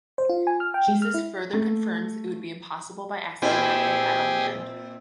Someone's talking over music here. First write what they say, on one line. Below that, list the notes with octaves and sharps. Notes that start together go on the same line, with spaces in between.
Jesus further confirms it would be impossible by asking what they had on hand.
C5
F4
G#5
F6
G5
G#3
F6
E4
A3
A#2 C4 E4 G4 G#4